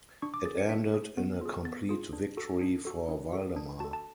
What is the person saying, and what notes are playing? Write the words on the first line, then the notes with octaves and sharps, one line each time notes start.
It ended in a complete victory for Valdemar.
D4 C#6
D6
G#4 A6
C#7
D4 B6
G#4
B3
F4 G#4
B3 A6
F4 G#4
D4
F#4 A4
D4
F#4 A4
D4
F#4 A4
D4
F#4 A4 A5
A5